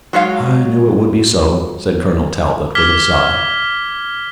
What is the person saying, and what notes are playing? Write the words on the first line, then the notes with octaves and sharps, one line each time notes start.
"I knew it would be so," said Colonel Talbot, with a sigh.
F#3 G#3 C#5 F5
D6 F6 G#6 B6 G7